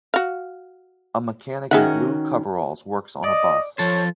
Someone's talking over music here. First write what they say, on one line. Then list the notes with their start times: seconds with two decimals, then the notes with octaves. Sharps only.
A mechanic in blue coveralls works on a bus.
0.14 F#4 F5
1.71 D#3 C#4 F#4 G#4 E5 F#5
3.24 D5 D#5
3.78 F3 A4 C5 C#5